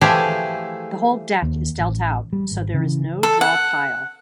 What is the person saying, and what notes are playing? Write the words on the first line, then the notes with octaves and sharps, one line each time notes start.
The whole deck is dealt out so there is no draw pile.
E3 F3 A3 G4 G#4
D#2
A1
G3
G#1
C#3 E3
A4
F#5